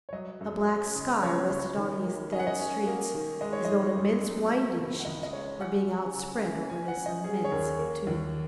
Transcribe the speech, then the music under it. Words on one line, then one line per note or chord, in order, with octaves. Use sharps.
A black sky rested on these dead streets, as though an immense winding-sheet were being outspread over this immense tomb.
C#5
F#3 D#5
F#2
C#4
C#3
F#3 C#5
C#2
D#3
A#3
C#4 D#5
F#5
D#5
C#4
A#3
D#3
G#3 D#5
C#5
G#2 D#5
F#2
F#3
A#3
C#2
F#5
C#2 D#5
D#5
G#3 C#5
C#4 F#5
C#4
C#3
C#4
C#4 G#5
F#5
C#4
D#5
C#4 G#4
C#5
D#2 A#4
A#3
D#2